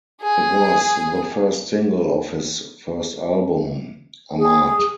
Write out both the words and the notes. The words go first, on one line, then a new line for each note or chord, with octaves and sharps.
It was the first single off his first album, "Ahmad".
G#4 G#5
G#4